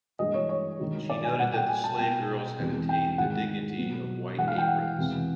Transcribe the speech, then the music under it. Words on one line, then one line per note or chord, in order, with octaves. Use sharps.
She noted that the slave girls had attained the dignity of white aprons.
G2 E3 G#3 D#5
C#5
C#5
G2 D#3 G#3
D5
G#5
A#2 G3 F#5
G5
G#5
A5
B2 G3 G5
E2 C3 E3 G#3
G5
G#2 D#3 G#3 F#5
B2 F#3
G2 E3 G#3 F#5
F5
G5
F#5
E2 C3 E3 G#3